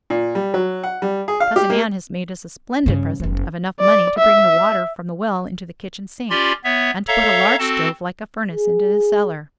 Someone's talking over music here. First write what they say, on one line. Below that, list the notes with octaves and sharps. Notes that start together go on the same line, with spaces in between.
Cousin Ann has made us a splendid present of enough money to bring the water from the well into the kitchen sink and to put a large stove like a furnace into the cellar.
A#2
G3
F#3
F#5
G3
G#4
F5
G4
A#3
G2 C#3
F#1 B3
D5
E5
C#4 F4 G4 D5 B5 C6
B3 C#5 E5
A4 C#5 E5 F5 A#5
C4 F#4 A4 A5
G#4